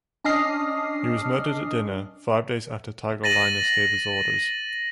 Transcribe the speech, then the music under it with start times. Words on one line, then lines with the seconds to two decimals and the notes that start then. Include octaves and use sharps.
He was murdered at dinner; five days after Tigellinus gave his orders.
0.24 C#4 D4 D#5 D#6 F6 C7
3.24 A6 A#6 D#7 F#7